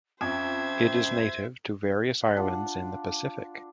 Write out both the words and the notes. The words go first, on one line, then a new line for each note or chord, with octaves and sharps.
It is native to various islands in the Pacific.
F2 C#4 C5 E5 G#6
D4 F4 F#5